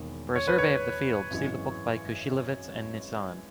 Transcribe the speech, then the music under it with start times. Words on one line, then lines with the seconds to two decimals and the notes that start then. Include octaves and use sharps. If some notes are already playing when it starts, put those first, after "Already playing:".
For a survey of the field, see the book by Kushilevitz and Nisan.
Already playing: E1 E2 D#3 A#3
0.36 C#5
0.47 B4
0.58 C#5
1.30 G#1 F#2 E3 G#3